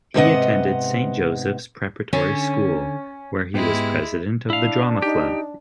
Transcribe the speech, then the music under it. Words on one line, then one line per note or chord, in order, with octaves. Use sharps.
He attended Saint Joseph's Preparatory School, where he was president of the drama club.
G#2 C3 B3 B4 D#5 F#5
D3 C#4
G#2 G#3 B3 E4 G4
D4 E4 F5
D#4 G4